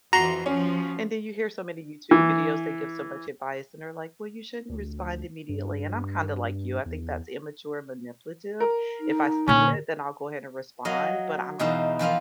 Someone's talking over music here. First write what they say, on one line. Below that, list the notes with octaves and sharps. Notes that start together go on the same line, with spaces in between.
And then you hear so many YouTube videos, they give so much advice and they're like, "Well you shouldn't respond immediately." And I'm kinda like you, I think that's immature and manipulative. If I see it, then I'll go ahead and respond, but I'm
F2 E3 F#4 A#5 C6
F3 C#4
E3
D2
G2
E2
A#4
D#4
A#2 D3 C#4
F#3 D#5 F5
E2 B2 D#4 F5 A#5
E2 F3 F4 F5